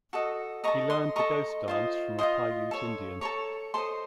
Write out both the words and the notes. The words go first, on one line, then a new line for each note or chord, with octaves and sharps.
He learned the Ghost Dance from a Paiute Indian.
F#4 A4 D#5
A4 D#5 A#5 C#6
C6 D#6
A4 D#5 A#5 C#6
F4 C5 D#5
F4 C5 D#5 C6 D#6
A4 C#5
A4 C#5 A#5 C#6
A4 C5 D#5 A5 C6